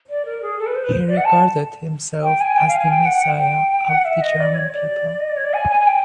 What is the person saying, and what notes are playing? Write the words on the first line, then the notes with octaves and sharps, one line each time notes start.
He regarded himself as the Messiah of the German people.
D5
A#4
G#4
A4
B4
C5
B4
C5
D5
F#5
A5
G5
G#5
G5
F5
G#5
G5
F#5
G5
G5
F#5
E5
D#5
D5
C#5
D5
D#5
D5
C#5
D5
G#5
G#5
G#5
G5